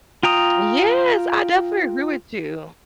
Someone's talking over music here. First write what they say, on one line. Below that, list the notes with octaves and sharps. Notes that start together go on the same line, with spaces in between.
Yes, I definitely agree with you.
F4 G5 A#5 D#6